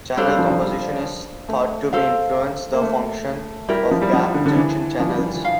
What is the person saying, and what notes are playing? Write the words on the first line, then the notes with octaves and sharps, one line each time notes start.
Channel composition is thought to influence the function of gap junction channels.
G3 D4 A4 C5 F5
G3
F3
F3
G3
A3
A4 C5 F5
A#3
A3
G3 E4 G4 A#4
F3
G3
F3
D3
D3
E3
F3
G3
F3
F5